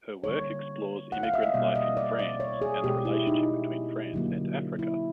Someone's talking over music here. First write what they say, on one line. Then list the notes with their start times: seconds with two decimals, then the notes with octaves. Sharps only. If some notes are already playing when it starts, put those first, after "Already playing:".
Her work explores immigrant life in France, and the relationship between France and Africa.
0.24 D3 G3 A#3 C#5
1.12 F#5
1.23 F5
1.34 E5
1.43 D#5
1.54 B2 G3 A#3 D5
1.75 D#5
1.97 D5
2.19 D5
2.40 C#5
2.61 G#4
2.84 B2 G#3 G4
3.05 E4
3.27 D#4
4.14 D3 F#3 A#3
4.79 E4